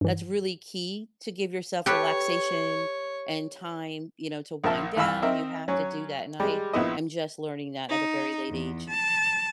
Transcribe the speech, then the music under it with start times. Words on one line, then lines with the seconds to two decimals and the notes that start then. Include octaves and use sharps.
That's really key to give yourself relaxation and time, you know, to wind down, you have to do that, and I am just learning that at a very late age.
0.01 G2 E3
1.86 G4 A4 B4 C#5
4.64 A#1 A#4 E5 A5
4.96 C2 E3 F5 B5 E6
5.22 C4 D#4 A#4 E5
5.68 F#3 C#4
6.40 G3 G#3
6.73 A#1 B3 E4 D#5
7.88 D#4
8.49 E2
8.88 A5